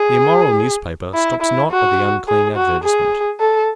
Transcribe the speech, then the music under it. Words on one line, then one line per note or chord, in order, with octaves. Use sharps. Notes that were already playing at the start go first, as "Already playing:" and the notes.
The immoral newspaper stops not at the unclean advertisement.
Already playing: G#4
E4
E4
F#4
G#4
F#4
G#4
A4